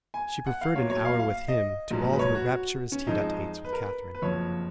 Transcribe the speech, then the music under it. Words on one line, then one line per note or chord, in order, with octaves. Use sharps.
She preferred an hour with him to all her rapturous tete-a-tetes with Catherine.
G#5
F#5
F5
B1 A#2 F#3 C#5
C#5
F5
F5
D#5
A#1 G#2 F#3
B4
C#5
F#4
C#4
F2 F3 G#3 D#4
B4
A#4
B4
B4
F#1 F2 F3 C#5